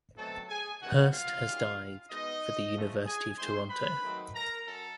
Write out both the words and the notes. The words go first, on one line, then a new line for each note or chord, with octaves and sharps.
Hirst has dived for the University of Toronto.
B2 F#3 A3 C4 A4 A5
G#4 G#5
F#2 D#3 G3 B3 F#4 F#5
F4 F5
F#2 D#3 G3
B2 G#3 B3 D#4 D#5
C#3 F3 A3
G#4 G#5
G#2 E3 G#3 C4 C5 C6
B4 B5
G#2 D#3 F#3 A3 C4
A#4 A#5
F#2 A4